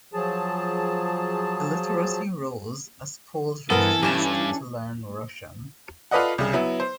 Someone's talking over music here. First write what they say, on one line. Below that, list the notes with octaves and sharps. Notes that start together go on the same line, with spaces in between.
Illiteracy rose as Poles refused to learn Russian.
F3 F#3 G#4 A5
G2 E3 B3 A4 A#4 C5 F#5 G#5
G2 C#4 D4 G4 A4 A5
F4 A4 B4 D5 D#5 F#5
C2 C#3
F#3 B3 E4
C5